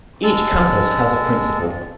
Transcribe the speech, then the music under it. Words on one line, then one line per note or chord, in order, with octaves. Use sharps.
Each campus has a Principal.
G#3 A4